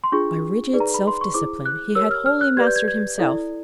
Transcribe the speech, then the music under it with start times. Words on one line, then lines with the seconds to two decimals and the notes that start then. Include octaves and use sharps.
By rigid self-discipline, he had wholly mastered himself.
0.04 C6
0.12 D4 F4 G#4 C#6
0.73 D#4 G#4 B4 D5
0.80 A#5
0.94 B5
1.07 C6
1.21 C#6
1.34 E4 G#4 C5 D6
1.65 F#6
1.95 G4 A#4 C#5 E6
2.11 F6
2.26 F6
2.41 F#6
2.57 G4 B4 D5 G#6
2.67 G6
2.76 G#6
2.88 G#6
3.18 E4 A4 D5